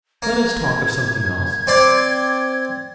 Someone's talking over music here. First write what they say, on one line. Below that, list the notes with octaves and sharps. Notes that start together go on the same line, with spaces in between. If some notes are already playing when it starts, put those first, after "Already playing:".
Let us talk of something else.'
A#3 G#6
C4 D5 C6